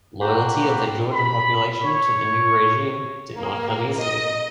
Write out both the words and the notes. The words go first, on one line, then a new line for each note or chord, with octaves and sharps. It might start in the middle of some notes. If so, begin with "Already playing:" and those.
Loyalty of the Georgian population to the new regime did not come easily.
A#3 F#4 G4 G5 B5 C6
B5
C#5
A#3
D#5